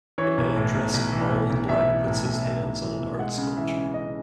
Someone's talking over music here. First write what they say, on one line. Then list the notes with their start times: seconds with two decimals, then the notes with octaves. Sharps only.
A man dressed all in black puts his hands on an art sculpture.
0.18 E3 C#5
0.38 B1
0.56 A2
0.75 B1
0.94 B1
1.12 E3
1.32 B1
1.50 B1
1.69 B1 E5
1.88 E3
2.07 A2
2.25 B1
2.44 B1
2.63 B1
2.81 E3
3.00 B1
3.19 G#3 F#5
3.38 C#3
3.57 E3 E5
3.76 C#3
3.94 C#3 D#5